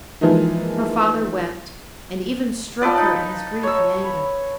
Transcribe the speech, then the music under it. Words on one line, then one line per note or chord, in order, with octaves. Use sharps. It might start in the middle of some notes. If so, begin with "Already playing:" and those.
Her father wept, and even struck her in his grief and anger.
E3 F3 G#3 A#3 D#4
F3 A4 B4 D5
D#4
C#5 E6
B5